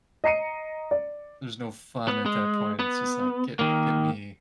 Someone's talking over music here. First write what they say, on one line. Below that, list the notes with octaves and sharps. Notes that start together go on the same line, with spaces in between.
there's no fun at that point, it's just like, "Get me get me
D#5 A#5 C7 C#7 D#7
D5
B3
G#3
B3
D#3 A#3